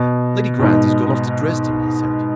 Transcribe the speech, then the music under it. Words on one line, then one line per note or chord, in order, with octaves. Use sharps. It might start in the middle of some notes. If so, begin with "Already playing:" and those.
"Lady Grant has gone off to Dresden," he said.
Already playing: B2
B2
G#2